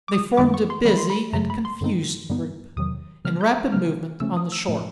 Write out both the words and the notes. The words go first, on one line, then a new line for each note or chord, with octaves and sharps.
They formed a busy and confused group, in rapid movement on the shore.
D6
D#6
F#2 D#3 G#3 B3 D#4 D6
C#6
C6
D#3 G3 B3 B5
C6
B5
F#2 C#3 F#3 A3 A#5
B5
C6
G2 D3 G3 C4 D#4
G2 D3 G3 B3 D#4
E2 C3 D#3 F#3 D#6
C#3 F#3 A#3 F6
G6
C#3 F3 A#3 C#4 F6
C#3 F3 A3 C#4 E6
D#6
E6
A2 F3 A3